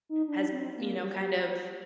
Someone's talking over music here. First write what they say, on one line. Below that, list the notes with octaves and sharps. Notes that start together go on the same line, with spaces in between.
has, you know, kind of
D#4
D4
C4
A#3
G3